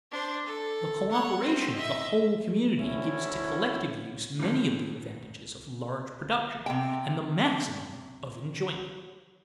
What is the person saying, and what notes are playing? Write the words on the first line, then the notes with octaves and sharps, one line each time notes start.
The cooperation of the whole community gives to collective use many of the advantages of large production, and the maximum of enjoyment.
D4 C5
A4
C#5 F#5
C4 C5
D#5 E5
D2 C#4 E4
D#2 C#3
C3 G5